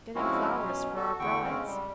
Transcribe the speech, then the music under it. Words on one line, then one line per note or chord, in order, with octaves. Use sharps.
'Getting flowers for "our brides".
F3 G#3 C4 C#4 E4 F#4
B2 F#3 C#4
F#4 A4
E2 D3 G5 C#6
C#3 G#3 C4 C#4
G3